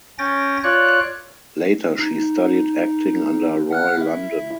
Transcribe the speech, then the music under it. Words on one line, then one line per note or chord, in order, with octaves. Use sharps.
Later, she studied acting under Roy London.
C#4 G5 A6 A#6
F4 C#5 D5 F#6
D#4
F#5 F6 F#6
E4 E5